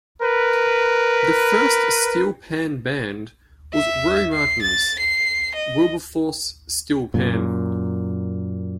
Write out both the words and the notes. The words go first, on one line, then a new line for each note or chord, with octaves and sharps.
The first steelpan band was Roy Martin's Wilberforce Steel Pan.
A#4 B4
E5
C7
A6
C7
D#5
F#2 A#2